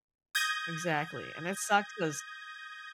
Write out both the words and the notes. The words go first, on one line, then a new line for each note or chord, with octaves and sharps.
Exactly, and it sucks 'cause
D#6 G6 G#6 A#6